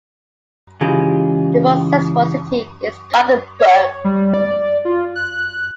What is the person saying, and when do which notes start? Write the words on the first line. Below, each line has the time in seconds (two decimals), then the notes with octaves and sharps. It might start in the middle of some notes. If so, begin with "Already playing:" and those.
The most successful city is Gothenburg.
0.81 C#3 E3 G#3 F4 G4 G#4
3.59 C#5
4.04 G3
4.34 D5
4.85 F4
5.15 F#6